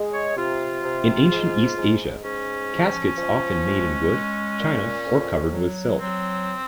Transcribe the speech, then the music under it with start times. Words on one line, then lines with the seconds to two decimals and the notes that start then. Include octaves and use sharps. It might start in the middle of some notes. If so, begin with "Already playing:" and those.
In ancient East Asia, caskets often made in wood, china, or covered with silk.
Already playing: G#3
0.13 C#5
0.36 C3 F4
0.83 C3
1.30 G#2
1.78 G#2
2.24 G#2 C#4
2.71 F3
3.18 F3
3.65 G#3
4.12 G#3
4.59 A#2
5.06 F2
5.53 F#3
6.00 F#3 C4